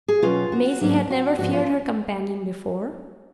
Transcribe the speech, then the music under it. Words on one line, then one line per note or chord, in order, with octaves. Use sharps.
Maisie had never feared her companion before.
G#4
B2 F#3 C#4 F4
F#4
G#2 F#3 A#3 C#4
F#4
G#2 F3 B3 F#4
F4